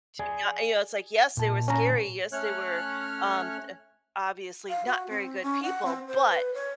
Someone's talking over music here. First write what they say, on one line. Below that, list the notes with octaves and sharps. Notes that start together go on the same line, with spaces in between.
to be not you know, it's like, yes, they were scary. Yes, they were, um, d obviously not very good people, but
G#4 D5 G#5
A#2 A5
C#4 A#5
A3 C#4 C#5 F6 F#6
F5
F#4
C4
C#4
F#5
C4
C5
B4
C#5